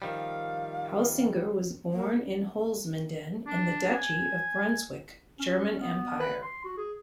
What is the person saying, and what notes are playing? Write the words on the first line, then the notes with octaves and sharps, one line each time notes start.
Heusinger was born in Holzminden, in the Duchy of Brunswick, German Empire.
D#3 F3 G3 F5
A#3
D4
G#5
C#4
B3
B4
C6
F#4
G#4